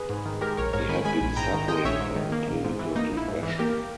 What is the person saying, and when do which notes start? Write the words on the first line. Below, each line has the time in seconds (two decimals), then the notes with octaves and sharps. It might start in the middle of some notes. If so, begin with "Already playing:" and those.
He had been suffering from clinical depression.
Already playing: G#4 B4
0.10 G#2
0.26 D#3
0.41 G#3 G4 A#4
0.57 A#1 A#4 C#5
0.73 G#2 A#4 C#5
0.89 D#3 G#5 B5
1.05 G#3 G#5 B5
1.21 A#1
1.36 G#2 G5 A#5
1.53 D#3
1.68 G#3 D#5 G5
1.85 A#1 C#5 E5
2.01 G#2
2.16 D#3
2.32 A#3
2.48 A#1
2.64 G#2
2.79 E3
2.96 A#3 D#4
3.12 A#1
3.17 E4
3.28 G#2
3.43 E3
3.59 A#3 G4 A#4